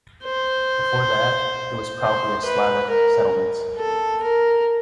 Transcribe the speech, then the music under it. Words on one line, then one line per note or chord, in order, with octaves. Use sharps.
Before that, it was probably a Slavic settlement.
C5
C5
B4
A#4
A4
A#4